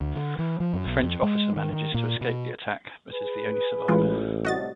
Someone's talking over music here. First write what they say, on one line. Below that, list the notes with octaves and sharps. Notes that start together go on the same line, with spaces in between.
The French officer manages to escape the attack, but is the only survivor.
D2
D3
E3
F3
F#2
B1
F2
G#3
D#3
D#3
A#2
B2
G#4 B4
A1 E3 G#3 F4
A2 C3 G3 F#4 D#5 A6